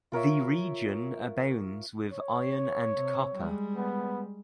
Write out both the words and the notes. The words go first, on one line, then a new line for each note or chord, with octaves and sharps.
The region abounds with iron and copper.
F4 A#4 C#5 E5
C#5
C3
G3 G#3
B3